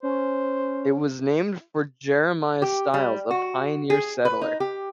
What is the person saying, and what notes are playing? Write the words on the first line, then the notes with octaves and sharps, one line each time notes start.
It was named for Jeremiah Stiles, a pioneer settler.
C#4 C5
G4
G3
F#4
G#4
B4
D#4
G4